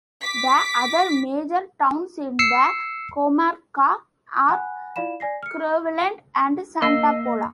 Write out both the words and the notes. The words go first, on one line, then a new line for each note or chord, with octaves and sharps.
The other major towns in the comarca are Crevillent and Santa Pola.
D6 B6
E6 C7 C#7
F#5 G#5 B5 F#6
E4 F4 D5 F5 B5 E7
D5 G#5 A#6 C7
F6 C#7
A#3 D#5 E6 C7